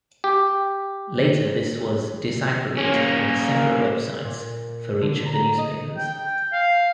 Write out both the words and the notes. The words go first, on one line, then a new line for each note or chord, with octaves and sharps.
Later this was disaggregated into separate websites for each of the newspapers.
G4
A#3 C#4
A#2
D3
A#5
D#5
G5
F5